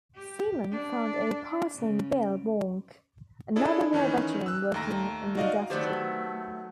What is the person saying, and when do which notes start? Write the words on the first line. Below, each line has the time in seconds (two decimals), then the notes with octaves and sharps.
Seaman found a partner in Bill Warnke, another war veteran working in the industry.
0.15 G4
0.71 D4
1.75 C#3
3.56 C#4 D4 E4 G#4 A4 D5
3.93 D#3 E3 C#4 D#4
4.46 E6 F#6
4.74 D#2 A3 A#5 A#6
5.37 D#4 F#4 D5 D#5 F5
5.70 D#3 F#3 A3 B3 G4 C5 D5